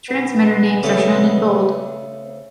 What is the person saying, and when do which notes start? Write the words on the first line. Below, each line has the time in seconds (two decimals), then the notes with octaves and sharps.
Transmitter names are shown in bold.
0.09 B3
0.83 C#3 A3